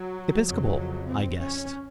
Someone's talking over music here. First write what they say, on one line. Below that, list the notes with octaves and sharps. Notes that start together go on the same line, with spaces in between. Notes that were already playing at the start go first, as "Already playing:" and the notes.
"Episcopal?" I guessed.
Already playing: F#3
F2 C#3 F#3
C4
C#4